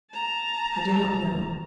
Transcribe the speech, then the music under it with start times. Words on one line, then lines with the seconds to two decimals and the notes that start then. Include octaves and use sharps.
I do not know.
0.12 A5 A#5